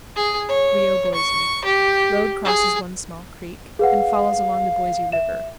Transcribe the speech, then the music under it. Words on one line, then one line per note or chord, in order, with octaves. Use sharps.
Rio Boise.--Road crosses one small creek, and follows along the Boise River.
G#4
C#5
C#6
G4
G#4
G#4 B4 F5 F#5
E5 E7